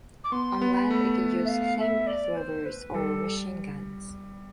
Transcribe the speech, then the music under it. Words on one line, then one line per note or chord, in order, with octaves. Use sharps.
On land it could use flamethrowers or machine guns.
D6
B3 C6
B3
B5
A3
E5
F5
E5
D5
C5
B4
G3 A4